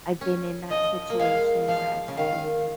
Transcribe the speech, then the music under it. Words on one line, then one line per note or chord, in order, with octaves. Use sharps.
I've been in that situation where I've stayed,
C#4
F3 D#5
A#3
G#3 F5
F3 F5
C#3
D#3 F5